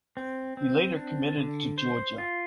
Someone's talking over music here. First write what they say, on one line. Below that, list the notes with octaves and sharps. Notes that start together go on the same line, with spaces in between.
He later committed to Georgia.
C4
C4
D4
D3
C5
F4